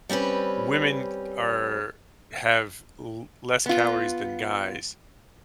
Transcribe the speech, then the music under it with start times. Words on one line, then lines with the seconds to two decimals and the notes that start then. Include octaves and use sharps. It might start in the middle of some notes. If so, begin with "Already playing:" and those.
women are have l less calories than guys
0.09 G3 C4 C#4 B4
3.66 B3 F4